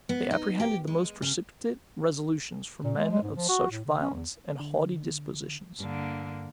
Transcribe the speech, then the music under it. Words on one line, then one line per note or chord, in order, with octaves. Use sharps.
They apprehended the most precipitate resolutions from men of such violent and haughty dispositions.
B3
D#4
G4
G#3
C#3
A#2
G#3
G#3
G#2
F3
F#4
A2
C#3
C#4
E2
D3
G2 D3 A#3